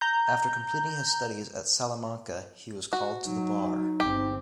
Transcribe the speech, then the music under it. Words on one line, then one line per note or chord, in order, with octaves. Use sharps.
After completing his studies at Salamanca he was called to the bar.
A#5 G6
F#4
F#3 D#4
G1 C4 G4